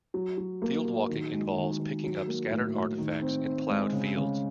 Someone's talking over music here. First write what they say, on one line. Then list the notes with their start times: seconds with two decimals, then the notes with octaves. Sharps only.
Fieldwalking involves picking up scattered artefacts in ploughed fields.
0.14 F#3
0.38 F#3
0.62 A#3
0.85 F#3
1.09 D#3
1.33 G#3
1.56 D#3
1.80 D#3
2.04 F#3
2.27 A#3
2.51 A2
2.75 A2
2.98 D#3
3.22 C4
3.45 C4
3.69 G#3
3.93 C#3
4.17 C#3